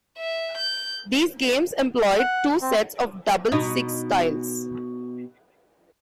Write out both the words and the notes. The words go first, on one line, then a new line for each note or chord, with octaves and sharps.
These games employed two sets of "double-six" tiles.
E5
G6
F#5
C4
B2 D#4